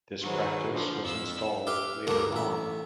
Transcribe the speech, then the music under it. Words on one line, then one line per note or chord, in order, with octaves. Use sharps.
This practice was installed later on.
D#3 F#3 F#4 G#4 B4 C5
D3 F3
F2 E6
G4 B4 E5 F5
D2 G2 A#3 D4 F#5
A1 E5